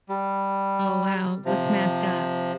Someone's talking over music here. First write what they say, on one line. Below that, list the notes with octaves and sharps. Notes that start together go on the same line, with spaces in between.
Oh, wow. Let's mask up.
G3
C3 F3